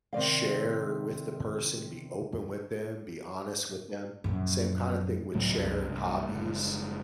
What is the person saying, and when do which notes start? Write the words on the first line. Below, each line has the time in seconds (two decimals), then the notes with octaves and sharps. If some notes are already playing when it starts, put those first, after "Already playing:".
share with the person, be open with them, be honest with them. Same kinda thing with sharing hobbies,
0.13 C3 D#3 D5 F5
4.24 A#1 F#2
5.34 C#2 A2 F#3 A3
5.56 C2 F#2
5.89 C2 G2
6.29 F#1 G#2